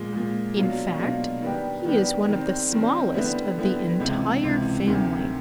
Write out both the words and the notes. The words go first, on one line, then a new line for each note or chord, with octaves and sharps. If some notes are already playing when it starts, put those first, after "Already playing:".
In fact, he is one of the smallest of the entire family.
Already playing: A#2 F3 G#3
A#2 F3 G#3
B2 F#3 A#3 D4 F4
B2 F#3 A#3 D4 F4
D#3 G3 B3 D4 G4
D#3 G3 B3 D4 G4
D#3 G3 C4
D#3 G3 C4
D3 G3 B3 E4
D3 G3 B3 E4
C#2 C3 E3
C#2 C3 E3
D2 C3 D#3